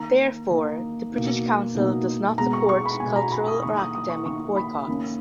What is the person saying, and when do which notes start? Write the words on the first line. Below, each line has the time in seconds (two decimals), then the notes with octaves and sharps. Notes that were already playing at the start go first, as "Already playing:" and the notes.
Therefore the British Council does not support cultural or academic boycotts.
Already playing: D#3 A#3 D#4 A#5
0.50 D#3 A#3 D#4
1.14 B2 A#3 D#4
1.75 B2 A#3 D#4
2.38 B2 G#3 B3 A#5
2.53 C#6
2.69 C#6
2.86 B5
3.00 B3 G#5
3.03 B2 G#3
3.16 A#5
3.32 B5
3.47 D#6
3.62 D#3 A#3 D#4 C#6
3.79 D#6
3.95 D#6
4.10 C#6
4.26 D#3 A#3 D#4 C#6
4.56 B5
4.87 D#3 A#3 C#4